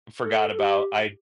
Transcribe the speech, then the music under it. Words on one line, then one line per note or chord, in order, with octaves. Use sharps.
forgot about I
A4
A4
G4